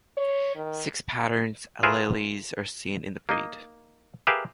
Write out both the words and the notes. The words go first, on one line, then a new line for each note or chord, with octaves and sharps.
Six patterns alleles are seen in the breed.
C#5
D#3
F4 G#4 A#4 B4 E5
A#3 D#4 D#5
G4 G#4 A#4 B4 E5 F5